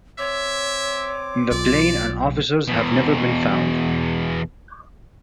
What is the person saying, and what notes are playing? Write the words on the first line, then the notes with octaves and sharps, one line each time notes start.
The plane and officers have never been found.
C4 C#5 E5 D6
B1 F4 D5
E2 B2